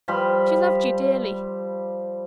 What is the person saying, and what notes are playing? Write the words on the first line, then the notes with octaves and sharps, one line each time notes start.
She loved yo' dearly.
F3 G3 B5 C6